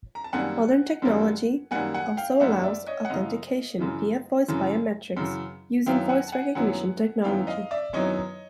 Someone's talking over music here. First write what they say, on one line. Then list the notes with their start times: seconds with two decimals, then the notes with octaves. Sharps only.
Modern technology also allows authentication via voice biometrics using voice recognition technology.
0.15 A#5
0.24 A5
0.33 F#2 D#3 G3 A#3 F#5 G#5
1.02 F#2 D#3 G3 A#3
1.71 F#2 D#3 G3 A#3 F#5 G#5
1.94 F#5 G#5
2.17 F5 G5
2.40 F#2 D#3 G3 A#3 E5 F#5
2.63 D5 E5
2.87 C#5 D#5
3.05 F#5
3.10 F#2 C#3 E3 D#5 F5
3.79 F#2 C#3 E3
4.48 F#2 C#3 E3
5.17 F#2 C#3 E3
5.86 F#2 D#3 F#3 B3 E4 F5 G5
6.09 F#5 G#5
6.28 A5
6.32 F#5 G#5
6.55 F#2 D#3 F#3 B3 E4 F#5 G#5
7.24 F#2 D#3 F#3 B3 E4 F5 G5
7.47 D#5 F5
7.71 D5 E5
7.93 F#2 D#3 F#3 B3 E4 C#5 D#5